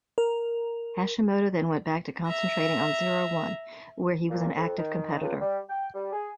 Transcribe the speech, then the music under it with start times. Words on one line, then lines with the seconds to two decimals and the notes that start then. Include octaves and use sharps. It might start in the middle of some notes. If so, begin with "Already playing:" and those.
Hashimoto then went back to concentrating on Zero-One, where he was an active competitor.
0.18 A#4
2.26 E5 A#5
4.31 A#2
4.57 F2
4.78 D#3
5.21 C#2
5.41 G3
5.69 G5
5.95 G3
6.13 G#4